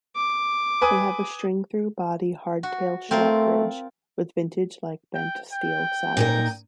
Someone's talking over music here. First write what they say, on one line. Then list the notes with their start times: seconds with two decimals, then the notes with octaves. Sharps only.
They have a string-through-body hardtail 'Strat' bridge, with vintage-like bent-steel saddles.
0.16 D6
0.81 B4 G#5 D#6
2.63 F#4
3.11 A3 C4 F4 A#4
5.14 G5
5.53 G5
6.17 A#2 D#4 A#4